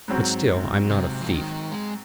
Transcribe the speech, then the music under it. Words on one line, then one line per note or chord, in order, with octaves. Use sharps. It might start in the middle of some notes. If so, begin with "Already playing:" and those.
But still I'm not a thief?
G#2 F#3 C4 F#4
C3
F3
D#3
G#3